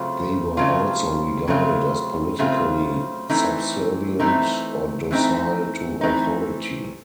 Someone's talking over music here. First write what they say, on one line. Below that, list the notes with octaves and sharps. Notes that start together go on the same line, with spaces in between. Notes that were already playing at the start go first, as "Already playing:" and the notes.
They were also regarded as politically subservient or docile to authority.
Already playing: C#3 F#3 A3 C4 F4
C#3 F#3 A3 C4 F4
C#3 F#3 A3 C4 F4
C#3 F#3 A3 C4 F4
E3 A3 C4 D#4
E3 A3 C4 D#4
E3 A3 C4 D#4
E3 A3 C4 D#4